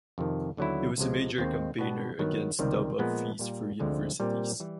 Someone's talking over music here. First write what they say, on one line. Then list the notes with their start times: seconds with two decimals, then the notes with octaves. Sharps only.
He was a major campaigner against top-up fees for universities.
0.18 F2 C3 D#3
0.57 D#2 D3 F#3 B3 E4
0.98 C#2 C3 F3 G#3
1.38 D#2 D#3 G#3 C4 D#4
1.79 B2 G3 B3 D4 G4
2.18 G2 D#3 F#3 B3
2.59 C#2 C3 D#3 G3 C4
2.99 A#2 F3 G#3 B3
3.39 A#2 G3 A#3
3.80 D2 D3 F3 G#3 C4
4.20 A#2 G3 C4
4.60 E3 G3